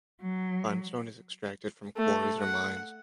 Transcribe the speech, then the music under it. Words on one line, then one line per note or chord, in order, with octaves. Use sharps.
Limestone is extracted from quarries or mines.
F#3
A3
F#5